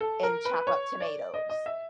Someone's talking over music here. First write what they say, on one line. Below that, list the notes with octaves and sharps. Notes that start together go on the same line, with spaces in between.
and chop up tomatoes,
A4
A#4
B4
C#5
D5
D#5
D#5
E5